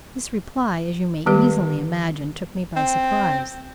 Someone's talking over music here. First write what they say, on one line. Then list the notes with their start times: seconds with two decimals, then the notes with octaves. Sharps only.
This reply, as you may easily imagine, took me by surprise.
1.26 D#3 G3 B3 G4 B4
2.76 C4